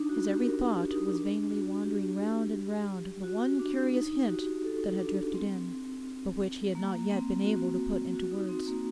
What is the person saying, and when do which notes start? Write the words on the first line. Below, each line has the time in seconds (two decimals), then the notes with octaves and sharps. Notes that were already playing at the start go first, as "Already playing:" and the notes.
His every thought was vainly wandering round and round the one curious hint that had drifted in, but which he had not yet been able to put into words.
Already playing: D4 D#4
0.09 F#4
0.27 G4
0.44 A#4
0.67 G4
0.91 D#4
1.14 D4
1.49 F#4
1.83 G4
3.24 F#4
3.59 D4
3.94 D#4
4.24 G4
4.29 F#4
4.64 A4
5.00 D4
5.35 C4
6.75 A#3
7.10 C4
7.45 F#4
8.15 F#4
8.31 D#4
8.49 C4
8.68 A#3